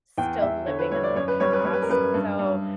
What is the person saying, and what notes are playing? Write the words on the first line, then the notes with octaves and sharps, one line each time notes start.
still living in the past, so,
E2 G5
E2 E5
D3 C#5
B4
G3 C#5
D5
F#2 C#5
B4
G3 C#5
B4
G3 C#5
B4
A#4
F#2 B4
G2
G2